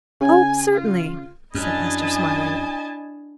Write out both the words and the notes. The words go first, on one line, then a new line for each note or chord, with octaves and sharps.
"Oh, certainly," said Esther, smiling.
C#3 G#5
F4
F#2 D4 E4 D#5 G#5 A5